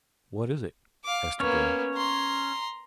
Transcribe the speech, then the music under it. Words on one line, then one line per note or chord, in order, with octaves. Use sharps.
"What is it?" asked the girl.
F5 D6
A#3 B3 C#4 C#5
A#5 C6